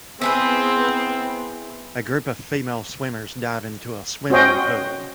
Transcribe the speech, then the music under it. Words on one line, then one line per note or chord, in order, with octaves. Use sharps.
A group of female swimmers dive into a swimming pool.
B3 C4 E4 G#4 B4
C#4 F#4 C5 D#5 G5